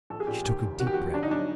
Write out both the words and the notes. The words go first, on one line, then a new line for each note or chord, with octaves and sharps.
She took a deep breath.
A#1 A4
G#4
A#2 G4
D#2 G4
F1
D#2 F#4
G4
F#4
F3
G1 D4
D#4
F#3 D4